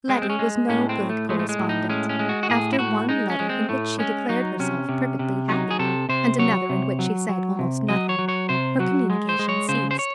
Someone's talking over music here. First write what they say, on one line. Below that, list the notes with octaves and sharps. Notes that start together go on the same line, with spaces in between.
Letty was no good correspondent: after one letter in which she declared herself perfectly happy, and another in which she said almost nothing, her communication ceased.
G#3 C4
C4
C#4
G#3
A2 C#4
C4
A2
A3
G#3 A3
A3
G#3
A2
D#4
G#3 C#4
C#4
G#3
F#4
F#4
A2 G#4
E4
A2 F#4
G#3 D#4
C#4
G#3
C4
A2 A3
G#3 C#4
F#3 D#4
C3 C#4
C3
C3
F#3 D#4
G#4
C3 A4
C3 C5
F#3 C#5
C3
F#3
F#3
C3
F#3 D#5
C#5
F#3
C#5
C3 C5
F#3 F#4
G#3
C5
G#3
C#5
C#3 C5
C5
C#5